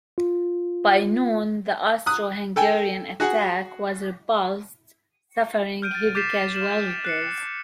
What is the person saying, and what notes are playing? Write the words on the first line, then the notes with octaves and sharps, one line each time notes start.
By noon, the Austro-Hungarian attack was repulsed, suffering heavy casualties.
F4
D#6 F#6
A4 G5 G#5
F#4 G#4 F#5
F6 G6 D7 D#7
A6
D6 G6 A6 B6 C7 E7
F6 E7 F#7
F#6 C7 C#7